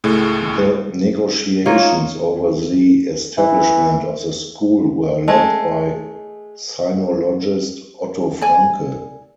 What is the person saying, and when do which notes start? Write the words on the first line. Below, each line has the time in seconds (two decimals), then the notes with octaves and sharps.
The negotiations over the establishment of the school were led by sinologist Otto Franke.
0.04 C#2 A2 G#3 A3
1.66 A#3 D#4 F4 C#5
3.38 E3
5.28 G#3 A3
8.41 D5 G#5